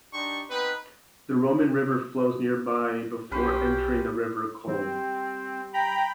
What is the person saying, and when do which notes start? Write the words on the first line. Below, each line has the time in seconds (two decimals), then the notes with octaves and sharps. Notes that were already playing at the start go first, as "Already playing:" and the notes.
The "Roman River" flows nearby before entering the River Colne.
0.14 D4 D#4 G4 D5 C6 C#6
0.50 B3 C4 D#4 B4
3.31 B1 C#4 G4 B4 C5
4.67 G3 C4
5.73 G5 A#5 B5